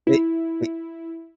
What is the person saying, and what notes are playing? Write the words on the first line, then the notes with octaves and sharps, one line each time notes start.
It it
E4